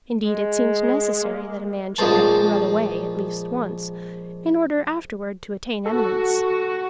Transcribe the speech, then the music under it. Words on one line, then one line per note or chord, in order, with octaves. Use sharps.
Indeed, it seems necessary that a man should have "run away" at least once, in order afterward to attain eminence.
G#3
A#3
A#1 F3 G#3 C4 C5 A5
F#4 A4